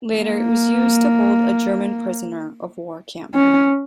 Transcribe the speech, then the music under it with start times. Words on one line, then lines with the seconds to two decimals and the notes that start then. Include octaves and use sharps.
Later it was used to hold a German prisoner-of-war camp.
0.17 A#3
3.35 C#4